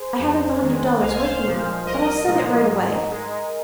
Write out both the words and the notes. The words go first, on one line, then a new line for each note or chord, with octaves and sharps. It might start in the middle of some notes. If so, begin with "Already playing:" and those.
I haven't the hundred dollars with me, but I'll send it right away.
Already playing: G#4 C5
F2
D#3 G#3
C2 F5
G#5
C5 F5
A#2 F3 G#3
C2 A#4 D#5
A#2 F3 G#3
G#2
G#3